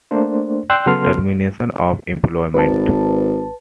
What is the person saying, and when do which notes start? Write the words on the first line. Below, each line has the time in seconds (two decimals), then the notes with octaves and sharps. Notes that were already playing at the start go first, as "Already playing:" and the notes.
Termination of employment.
0.11 A3 A#3 D4 C5
0.70 D5 G5 C6 E6 F#6 G6
0.86 C#3 F#3 B3 A4 C6 F6
2.54 G#1 B4 A5